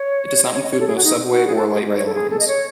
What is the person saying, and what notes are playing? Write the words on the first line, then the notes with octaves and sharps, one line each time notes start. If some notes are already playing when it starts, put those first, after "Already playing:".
It does not include most subway or light rail lines.
Already playing: C#5
D#5
C#5
D#5
C#5
A4
G#4
F#4
D#4
F#4
G#4
A4
G#4
D#5
C#5
A4
G#4
A4
D#5
C#5